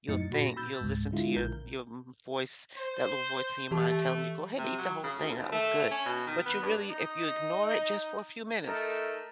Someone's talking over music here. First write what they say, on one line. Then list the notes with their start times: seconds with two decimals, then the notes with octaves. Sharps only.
you'll think you'll listen to your your m voice, that little voice in your mind telling you, "Go ahead eat the whole thing. That was good." But you really if you ignore it just for a few minutes,
0.08 F#2 A2 D#4 A6 C#7
0.31 A#2 F#4 B5 A#6
0.56 B5 E6 G6 A6
0.81 C#2 G#2
1.12 D3 G#3 E4 F4
1.36 A#1 A#4 G6
2.77 C5
3.71 E3 A3 G4 A5
4.58 C3
4.78 F#3
5.04 C#3
5.18 D2
5.36 D#2
5.52 A3
5.91 C#4
6.06 B2
6.27 D#3
6.46 B3
6.63 G2
6.90 D#4 D#5
8.66 A3 D#4 A#4